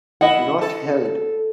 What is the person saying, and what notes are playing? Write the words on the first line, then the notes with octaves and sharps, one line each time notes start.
Not Held.
E4 D#5 F#5
A4